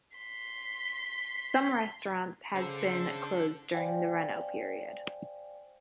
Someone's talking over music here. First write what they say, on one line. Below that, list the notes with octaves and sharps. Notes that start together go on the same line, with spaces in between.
Some restaurants has been closed during the reno period.
C6 B6
C#3 D4 A4 C5
C5 D5 F5 G5 G#5